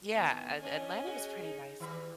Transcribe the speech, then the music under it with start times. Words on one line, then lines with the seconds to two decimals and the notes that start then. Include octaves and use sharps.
yeah, At Atlanta was pretty nice.
0.15 G#2 D#3 B3
0.59 D3 C#4 D4 D#5 G#5
1.06 F#4 G#4
1.42 D#4
1.80 D#3 E3 G3